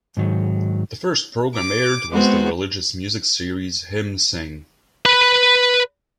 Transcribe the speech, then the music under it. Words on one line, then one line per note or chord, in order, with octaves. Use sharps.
The first program aired was the religious music series "Hymn Sing".
G#2 D#3 F#3
D6
G#3 B3 C4 F#4
B4 B5